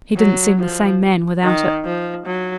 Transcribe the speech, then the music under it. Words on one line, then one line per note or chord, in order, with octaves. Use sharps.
He didn't seem the same man without it.
F#3
F3
D#3
F3
F#3